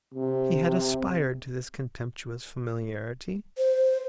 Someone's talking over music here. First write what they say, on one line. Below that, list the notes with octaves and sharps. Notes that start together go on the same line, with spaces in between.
He had aspired to this contemptuous familiarity.
C3
C5